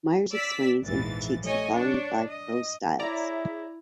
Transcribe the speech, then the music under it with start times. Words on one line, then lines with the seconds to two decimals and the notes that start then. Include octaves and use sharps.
Myers explains and critiques the following five prose styles.
0.31 D5 E6 B6
0.82 A#1 E2 G#2 E3 F3 A6
1.41 G3 A3 C#5 D#5 G#5
1.72 D4 C#5
2.26 D#5
3.00 E4 G#4 C#5 D5 E5 A#5